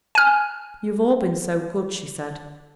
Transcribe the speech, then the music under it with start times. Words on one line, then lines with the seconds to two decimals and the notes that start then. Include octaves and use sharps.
"You've all been so good!" she said.
0.15 G#5 F6